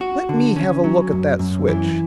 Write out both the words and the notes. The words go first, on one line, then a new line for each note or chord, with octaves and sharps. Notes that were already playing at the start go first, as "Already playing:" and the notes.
"Let me have a look at that switch."
F#4
D3
C#4
F#3
F#2
F#2
E3